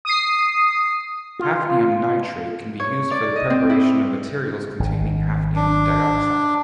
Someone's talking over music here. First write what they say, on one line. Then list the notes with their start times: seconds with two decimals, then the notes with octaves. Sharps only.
Hafnium nitrate can be used for the preparation of materials containing hafnium dioxide.
0.05 D#6 C7
1.40 F4
2.80 C#5
3.11 D5
3.36 D#5
3.50 C4
3.70 E4
4.80 G#1
5.56 D4